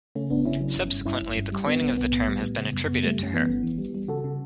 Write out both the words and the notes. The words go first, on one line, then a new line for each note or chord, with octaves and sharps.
Subsequently, the coining of the term has been attributed to her.
C#3 A3 C#4
G1 B3 D4
C#3 C#4 E4
F#3
G1
G2
G2 C#4 E4
G1
G2
G3
D3 B3
A1 B3
B1 B3
A2
G3
A2
C#3
F#2
C#3 B3
G3 A3
F#2 C#4
E3 B3
G1
E3
G3
G3
C#3 F#4 A4
C#3